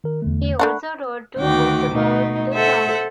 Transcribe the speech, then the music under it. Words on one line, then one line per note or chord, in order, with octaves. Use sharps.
He also wrote two books about the town.
D#3 A#4
E2 D3 A3
A3 D4 F#5 B5 C#6 F#6
D2 D#3 A3 F#4 G5 D6
B2 A3 D#4
A4 C5 E5 F#5